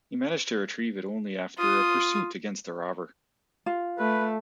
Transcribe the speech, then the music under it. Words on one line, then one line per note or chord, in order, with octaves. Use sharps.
He managed to retrieve it only after a pursuit against the robber.
F4 D#6
F4
A3 B4